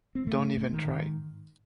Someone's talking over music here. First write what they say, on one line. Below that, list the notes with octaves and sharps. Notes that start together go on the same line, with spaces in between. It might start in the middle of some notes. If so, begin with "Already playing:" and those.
Don’t even try.
C4
G#2 A3
G#2
D#3
G#2